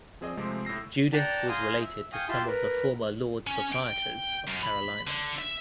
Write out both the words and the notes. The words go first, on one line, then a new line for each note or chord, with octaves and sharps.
Judith was related to some of the former lords proprietors of Carolina.
F3 C4 G#4 D5 D#5
C3 F3 G#3 A3 C4 G4
A2 E6 A#6 C7
D5 F#5 G5 A5 A#5
F5 G#5 A#5 C6 D#6 G6
E5
F5 G5 G#5 C#6 D#6 G6
E4 F4 G4 A5 C6
A#4 B4
C#4
G5
F#2
B5
D3
E5